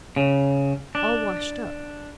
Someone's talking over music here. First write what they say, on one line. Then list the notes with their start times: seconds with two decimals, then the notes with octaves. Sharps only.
All washed-up!
0.16 C#3
0.95 D4